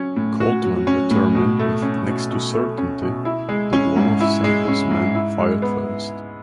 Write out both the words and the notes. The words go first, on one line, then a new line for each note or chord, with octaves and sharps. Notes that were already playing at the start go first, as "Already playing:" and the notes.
Coltman determined with "next to certainty" that one of Semple's men fired first.
Already playing: F#3 C#4
A2
F#4
F#3
C#4
A2
B2
A3
C#4
B2
B2
A3
C#4
B2
E4
G#3
C#4
G#2
E4
G#3
C#4
G#2
E4
G#3
B3